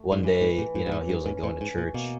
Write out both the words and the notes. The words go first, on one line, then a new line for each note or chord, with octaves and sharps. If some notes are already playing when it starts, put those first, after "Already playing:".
one day, you know, he was, like, going to church
Already playing: A3
G#2
G2 E3
G#2
A2 E3
G#2
G2
G#2 E3
G2
G#2 C#4
A2
G#2 C#4
A#2
B2 A#3